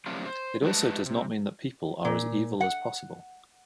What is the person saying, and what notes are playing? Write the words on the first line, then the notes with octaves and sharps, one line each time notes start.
It also does not mean that people are as evil as possible.
F#2 A2 C3 F3 D4 F4
C5
G#3 A3 G4 B4 A5
C3
A#2
F#5